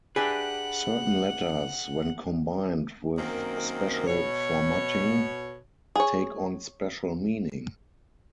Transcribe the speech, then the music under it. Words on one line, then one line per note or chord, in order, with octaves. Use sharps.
Certain letters, when combined with special formatting, take on special meaning.
D4 G4 G#4 B4 E5 F#5
F#2 D#3 A#3 C4
B2 C#5
G#4 C#5